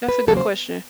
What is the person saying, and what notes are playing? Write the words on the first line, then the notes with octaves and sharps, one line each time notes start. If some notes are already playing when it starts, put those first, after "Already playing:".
That's a good question.
B4
E2 C#3 F#3 A#3 A4
C5